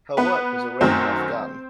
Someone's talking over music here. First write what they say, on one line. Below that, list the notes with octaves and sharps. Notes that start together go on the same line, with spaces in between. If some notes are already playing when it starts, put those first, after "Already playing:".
Her work was already half done.
B3 B4
F#2 D#3 F#3 A3 C4 C5